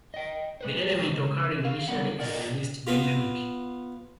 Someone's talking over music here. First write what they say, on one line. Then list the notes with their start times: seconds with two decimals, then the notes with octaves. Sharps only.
The element occurring initially is the least dynamic.
0.14 D#5 G5
0.61 G#3 B4 C5
1.18 C#3
1.61 G#4 F5
1.88 D3 F#3 G3 A#3 B3 F#5
2.18 D4 A#4 D5 D#5
2.87 B3 F4